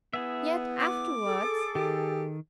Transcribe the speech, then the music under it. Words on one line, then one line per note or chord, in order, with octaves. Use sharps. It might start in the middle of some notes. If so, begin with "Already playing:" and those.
Yet afterwards--?
B3 E4 G#4 E5
D6
G#4 A4
D#3 G4